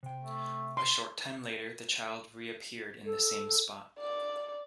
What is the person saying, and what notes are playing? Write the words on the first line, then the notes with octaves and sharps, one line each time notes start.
A short time later, the child reappeared in the same spot.
C3 G5
A3
C6
A4
D5